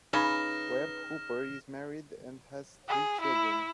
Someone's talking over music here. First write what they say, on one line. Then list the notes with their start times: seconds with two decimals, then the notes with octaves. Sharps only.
Webb Hooper is married and has three children.
0.13 C#3 D#4 B4 F6 A#6 E7
2.88 G#4
3.21 E4